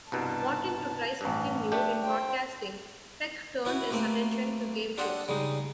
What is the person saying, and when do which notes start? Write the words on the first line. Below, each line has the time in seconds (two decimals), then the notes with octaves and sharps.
Wanting to try something new in broadcasting, Peck turned his attention to game shows.
0.12 C2 G2 B2 A5
1.21 A1 G2
1.72 A3 D4 G4
2.04 C5 G5
3.65 C#4 E4 F#4 B4
3.91 A3 A#3 C4 G4 B4
4.98 D4 G4 A4 C5 D#5 F#5
5.28 C#3 G3 G#3 D#4